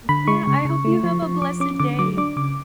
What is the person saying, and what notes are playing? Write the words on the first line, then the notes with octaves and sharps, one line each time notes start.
M yeah, I hope you have a blessed day.
D3 B5
G#3 C#6
C#3
C#3
A3
F3
F3
F3 D6
C#4 D6
D3 D6
F#3 D6
D4 D6
C#3 D6